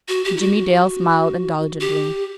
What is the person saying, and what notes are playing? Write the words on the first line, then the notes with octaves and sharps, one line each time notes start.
Jimmie Dale smiled indulgently.
F#4
G4
E4
F#4
G4